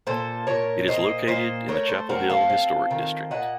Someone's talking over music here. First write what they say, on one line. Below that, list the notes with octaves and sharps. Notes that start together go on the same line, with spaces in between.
It is located in the Chapel Hill Historic District.
A#2 A4 C5
A#2 A#4 C#5
A#2 C5 D#5
A#2 C5 D#5
A3 A#4 C#5
A4 C5
C4 F#4 A#4
F4 A4
C4
D#3
A#2 D#5 F#5